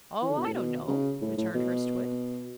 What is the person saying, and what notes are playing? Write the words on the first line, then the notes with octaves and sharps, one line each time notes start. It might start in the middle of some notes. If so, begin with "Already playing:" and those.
"Oh, I don't know," returned Hurstwood.
E3
D3
B2
A2
B2
C#3
A2
A2
B2